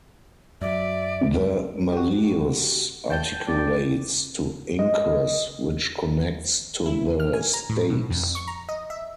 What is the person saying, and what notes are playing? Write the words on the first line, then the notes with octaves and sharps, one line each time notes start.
The malleus articulates to incus which connects to the stapes.
F#2 F#3 D5 E5
F#4 G4
G5 A5 G6
D5
D#5
E4
F6
G#5
A#5
A2
B2
F2
C#6
A#5
D#5
E5